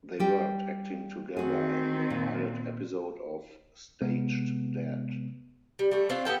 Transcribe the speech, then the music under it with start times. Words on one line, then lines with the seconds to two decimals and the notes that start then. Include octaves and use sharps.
They worked acting together in the pilot episode of "Staged Dad".
0.20 G3 G4
1.37 D#3 A3 C4 F#4 G#4
2.10 A#2
4.02 C3 G#3 B3
5.79 G3
5.91 G3 A3
6.09 A3 C4 D4 F4
6.25 B3 G4 A4 G5